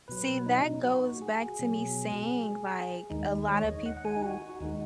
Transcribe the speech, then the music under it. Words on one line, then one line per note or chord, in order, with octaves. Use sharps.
See, that goes back to me saying, like, a lotta people
B2 F#3 B4
D#4
F#4
G#4
B2 F#3
D#2 D#3 G#3 D#4
C#5
D#5
F#5
F#5
G#5
D#4
F#4
F#4
D#2 D#3 G#3 D#4